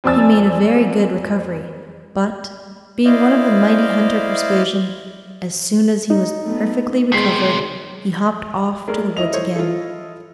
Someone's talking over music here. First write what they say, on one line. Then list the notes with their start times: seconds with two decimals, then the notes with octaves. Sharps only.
He made a very good recovery; but, being one of the mighty-hunter persuasion, as soon as he was perfectly recovered, he hopped off to the woods again.
0.04 F2 C4 D5 G#5 E6 A6
3.05 E4 C5 D5 D#5 F5
6.10 D#4
6.43 A3 B3
7.12 C3 D#3 G#3 B6 C7
8.88 G#3 A3 A#4 D5
9.17 E4 D#5 F7
9.33 A4 C5 C#5
9.56 F4 A4